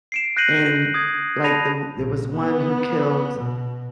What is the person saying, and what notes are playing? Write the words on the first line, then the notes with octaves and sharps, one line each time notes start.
and like, the o there was one who killed
C7 D7 E7
F#6 G6 A#6 C7 D#7 F#7
D#6 G#6
A5 B5 A#6 D#7 F7
A#1
B3
B2